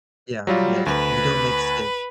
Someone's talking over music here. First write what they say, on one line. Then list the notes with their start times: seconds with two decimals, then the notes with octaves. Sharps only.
Yeah, yeah, you don't make steak.
0.47 F#3 G3 F4
0.86 D2 B4